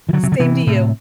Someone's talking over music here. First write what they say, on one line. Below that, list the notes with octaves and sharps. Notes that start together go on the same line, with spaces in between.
Same to you.
E3
D3 F#3
C3
D3
C3 E3
A2 C3